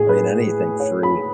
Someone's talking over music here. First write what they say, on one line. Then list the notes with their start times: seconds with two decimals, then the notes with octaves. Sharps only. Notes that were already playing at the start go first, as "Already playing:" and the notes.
I mean, anything free.
Already playing: A2 G#4
0.09 B4
0.80 C#5
1.03 B5